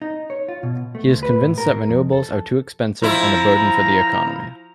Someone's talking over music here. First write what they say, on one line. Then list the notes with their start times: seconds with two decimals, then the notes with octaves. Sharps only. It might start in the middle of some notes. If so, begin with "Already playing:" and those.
He is convinced that renewables are too expensive and a burden for the economy.
0.02 D#4
0.30 C#5
0.48 F4
0.63 B2
0.95 A3
1.08 D2
1.23 B4
1.41 A2
1.58 A#4
1.89 F2
2.12 A4
3.02 F3 E4 A#5